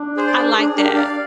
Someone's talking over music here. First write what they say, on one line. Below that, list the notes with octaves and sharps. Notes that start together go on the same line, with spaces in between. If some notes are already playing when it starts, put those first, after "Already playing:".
I like that.
Already playing: D4
G#4 C5
D5
C5
A#4
G#4
G4 A#4
D5 F5